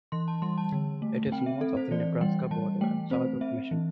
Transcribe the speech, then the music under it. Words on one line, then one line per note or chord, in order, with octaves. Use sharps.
It is north of the Nebraska border and south of Mission.
E3 C6
A5
G3 C6
A5
D3
A3
C4 G5
E5
C4 A4
C5
E3 D5
G3 G5
E3 A5
A3 G5
C4 C5
C4 E5
E3